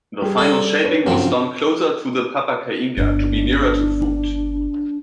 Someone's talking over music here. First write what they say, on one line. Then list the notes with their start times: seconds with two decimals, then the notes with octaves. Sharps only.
The final shaping was done closer to the papakainga to be nearer to food.
0.22 G3 G#4
0.38 A4 D5
0.84 D4 B4 C#5
1.06 G2 C#3 F3 F#3 C4
2.97 G1 B3 D4